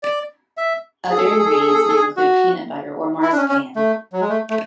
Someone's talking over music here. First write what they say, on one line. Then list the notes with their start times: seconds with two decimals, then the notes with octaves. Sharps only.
Other ingredients may include peanut butter or marzipan.
0.03 D5
0.57 E5
1.11 G#4
1.17 A4
1.24 G#4
1.31 A4
1.38 G#4
1.45 A4
1.52 G#4
1.60 A4
1.67 G#4
1.74 A4
1.81 G#4
1.88 A4
1.96 G#4
2.17 F#4
3.23 E4
3.32 D4
3.37 C#4
3.49 C#4
3.76 A3
4.13 F#3
4.21 G#3
4.29 A3
4.50 A3